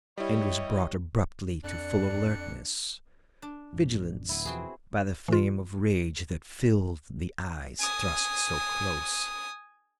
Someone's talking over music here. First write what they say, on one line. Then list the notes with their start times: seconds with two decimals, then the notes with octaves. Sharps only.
And was brought abruptly to full alertness, vigilance, by the flame of rage that filled the eyes thrust so close.
0.18 G3 E4 G4 C#5 D#5
1.64 F2 D4 D5 F#6 C#7
3.42 D4
3.73 A1 F2
4.29 D1 B3 E4
4.45 E2 B2 F3 C4 F#4 G#4
5.28 E3 F4
7.80 G#5 D#6